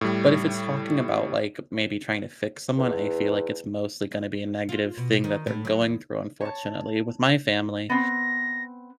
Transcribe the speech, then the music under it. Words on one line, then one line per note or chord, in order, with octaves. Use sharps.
but if it's talking about, like, maybe trying to fix someone, I feel like it's mostly gonna be a negative thing that they're going through. Unfortunately, with my family,
A2 G3
E2
F4
B2
D#3
A2
F#3
E2
C#5 A5
B3 C4 A#6